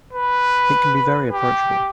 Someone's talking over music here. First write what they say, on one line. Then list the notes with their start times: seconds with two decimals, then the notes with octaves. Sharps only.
It can be very approachable.
0.13 B4
1.32 G4